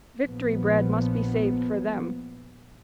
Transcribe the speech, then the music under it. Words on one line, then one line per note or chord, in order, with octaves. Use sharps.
Victory bread must be saved for them.
A#1 A#2 F3 B3